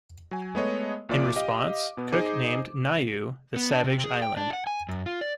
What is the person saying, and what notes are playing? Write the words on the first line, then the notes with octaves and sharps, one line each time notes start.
In response, Cook named Niue the "Savage Island".
F#3 G#5
G#3 A3 B3 G#4 C#5 D#5
A#1 A#2 F4 D5 D6
G4 D#5 F5
B2 B3
D#4 G#4 C5 D#5 D6
B3
D4
C3
G#4
G5
D4
F#5
G#5
F#2
F4
D5